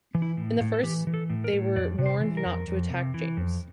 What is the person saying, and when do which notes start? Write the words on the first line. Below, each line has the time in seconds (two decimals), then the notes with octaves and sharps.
In the first they were warned not to attack James.
0.15 E3
0.22 E4
0.37 A2
0.61 A2
0.74 A4
0.83 E3 G4
1.07 E3
1.14 A4
1.30 A2
1.44 A#4
1.53 A2
1.76 F2 D5
1.99 C3
2.06 C5
2.21 E3
2.37 A#4
2.45 F2
2.68 F2
2.90 C3
3.14 E3
3.37 F2